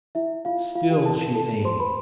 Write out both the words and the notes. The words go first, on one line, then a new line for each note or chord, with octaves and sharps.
Still she aimed....
E4 E5
F4 F5
F4 F5
G4 G5
A4 A5
A4 A5
C5 C6
B4 B5